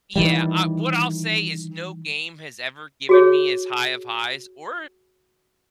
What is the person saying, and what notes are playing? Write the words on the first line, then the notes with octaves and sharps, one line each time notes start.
Yeah, I what I'll say is no game has ever given me as high of highs, or
D#3 E3 G3
F#4 G#4 C#5